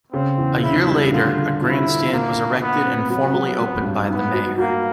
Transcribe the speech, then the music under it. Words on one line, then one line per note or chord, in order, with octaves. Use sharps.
A year later a grandstand was erected and formally opened by the Mayor.
C#3 C4
E2
C#3 E4
G3
D3 F4
D3
F3 E4
D3
A#2 A#3
A#2
A#2 B3
C4
F#3 B3
F#3
F#3
G2
B3 D#4
F#4
A#3 F#4